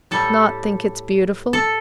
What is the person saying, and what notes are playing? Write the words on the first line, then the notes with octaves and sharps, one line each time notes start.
"Not think it beautiful?"
A2 G3 A4
A4